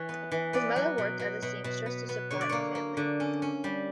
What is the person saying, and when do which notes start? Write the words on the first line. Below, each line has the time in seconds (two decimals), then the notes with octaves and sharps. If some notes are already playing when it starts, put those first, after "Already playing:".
His mother worked as a seamstress, to support the family.
Already playing: E3 C#5
0.09 B3
0.31 E3
0.53 B3 D5
0.76 F#3
0.98 B2
1.19 B2
1.42 B2
1.64 B2
1.86 B3
2.09 B3
2.31 D3 C#5
2.41 D5
2.49 A#3 C#5
2.75 A#3
2.97 D3
3.20 C#4
3.42 C#4
3.64 G3